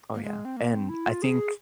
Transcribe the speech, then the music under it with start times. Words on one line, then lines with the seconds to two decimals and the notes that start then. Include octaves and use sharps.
Oh, yeah, and I think,
0.14 A#3
0.23 G#3
0.45 C4
0.56 A#3
0.73 C4
0.89 E4
1.05 F4
1.22 G#4